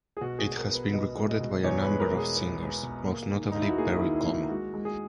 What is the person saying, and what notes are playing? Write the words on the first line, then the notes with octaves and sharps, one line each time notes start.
It has been recorded by a number of singers, most notably Perry Como.
G#4
B2 F#4
G#4
B2
A#4
B3
B4
B2 D#5
G#3
D#5
B2
E2 C#5
B4
G#3
A#4
B2
G#4
B3
G#3
B2
A#3
D#3
D#2 D#4
E4
F#4
A#3 G#4
E4
D#3
E4
A#3
E4
G#3 F#4
G#3
G#4